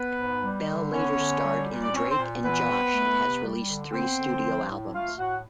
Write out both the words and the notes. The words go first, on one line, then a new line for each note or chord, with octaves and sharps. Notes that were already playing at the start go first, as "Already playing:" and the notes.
Bell later starred in "Drake and Josh" and has released three studio albums.
Already playing: B3 B4
G#2
G3
D3
B3 C#4 C#5
D3
G3
A#2
D5
C4 C#4 C#5
C4 C5
A#2
E3 B3 B4
C4
A3
C3
G3
D3
B3 C4 C5
D3
F3
A2
A3 F4 F5
A2 F#4 F#5